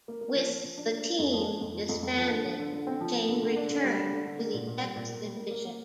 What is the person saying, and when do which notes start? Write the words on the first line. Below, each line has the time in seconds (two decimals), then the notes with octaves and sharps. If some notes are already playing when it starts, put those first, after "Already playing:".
With the team disbanded, Shane returned to the X Division.
0.08 A#3
0.21 A#3
0.35 F3
0.50 F3
0.64 F3
0.77 D4
0.92 A#3
1.04 A#3
1.19 F2
1.33 F3
1.48 F3
1.61 F2
1.74 F3
1.89 F2
2.03 F2
2.17 F3
2.30 D3
2.44 F3
2.59 D3
2.73 D3
2.87 C4
3.01 F3
3.14 F3
3.28 D3
3.43 D3
3.56 D4
3.70 D3
3.84 G3
3.98 D3
4.12 D3
4.26 D3
4.39 A#3
4.53 A#2
4.67 A#2
4.81 G3
4.96 A#2
5.09 A#3
5.24 G3
5.36 A#3
5.51 A#3
5.65 A#3